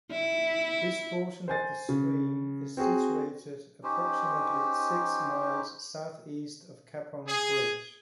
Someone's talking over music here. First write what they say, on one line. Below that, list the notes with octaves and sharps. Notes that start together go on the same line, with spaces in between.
This portion of the stream is situated approximately six miles southeast of Capon Bridge.
E4
C5 G#5 A6
C#3
C4 F#4 G#4
C#4 D#4 G4 C5
G#4